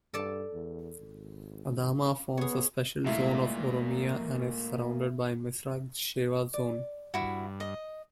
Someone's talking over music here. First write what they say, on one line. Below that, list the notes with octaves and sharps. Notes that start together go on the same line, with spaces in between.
Adama forms a Special Zone of Oromia and is surrounded by Misraq Shewa Zone.
G2 A4 D5 A5
E2
G#1
B3 G#4 C#5
D2 A#2 G#3 A3 E4
D5
G2 E4 F#4
D#5